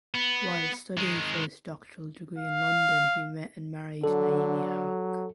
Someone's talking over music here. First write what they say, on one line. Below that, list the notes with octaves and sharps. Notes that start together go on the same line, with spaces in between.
While studying for his doctoral degree in London he met and married Naimi Haque.
B3
D#3 G#3
F5
D3 F#3 A4